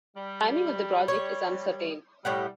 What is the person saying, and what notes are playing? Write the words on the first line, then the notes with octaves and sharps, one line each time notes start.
Timing of the project is uncertain.
G3
C#5
A2 G3 G4 F#5